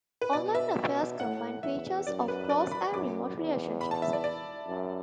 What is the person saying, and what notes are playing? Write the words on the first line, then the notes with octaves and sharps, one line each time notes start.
Online affairs combine features of close and remote relationships.
B4
B2 D5
E5
B2
A2 F#5
E2 E5
F#2 D5
B4
D5
B5
F#2 D6
E2
B5
A5
E5
D5
D5
F#2